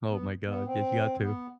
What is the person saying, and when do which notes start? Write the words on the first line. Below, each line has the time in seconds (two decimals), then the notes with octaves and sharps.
Oh, my god, ye you got to.
0.10 B3
0.47 B3
0.65 C4
1.22 B3